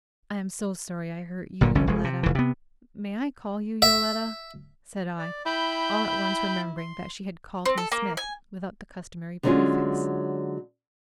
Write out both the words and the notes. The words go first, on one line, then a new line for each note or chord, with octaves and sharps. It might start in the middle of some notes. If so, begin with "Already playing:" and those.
"I am so sorry I hurt you, Yoletta--may I call you Yoletta?" said I, all at once remembering that she had called me Smith, without the customary prefix.
G1 A#2 D3
F#1 C2 D3 C#4
F1 G#3
C3
F1 E3
C3 B3
E5
D5
E4 G5 B5 G6
C6
C4
A4
A#3
G#5
D3 F#3 G#3 C4 C#4 F4